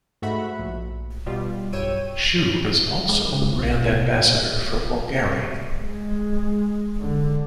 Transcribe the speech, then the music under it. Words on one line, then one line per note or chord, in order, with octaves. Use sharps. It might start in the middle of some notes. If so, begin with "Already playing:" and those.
Shu is also the brand Ambassador for Bulgari.
G#2 A3 F#4 E5 F#5 B5
A#1
B2 G3 F4
B1 G2 C#5 G5 E6 D#7
G#3
C#3
A#1
B2
B2
A#2
G#3
D3